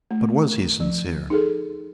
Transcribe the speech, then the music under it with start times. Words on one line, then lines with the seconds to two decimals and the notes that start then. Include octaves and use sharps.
But was he sincere?
0.11 A3
0.80 F3
1.30 D#4 G#4 A4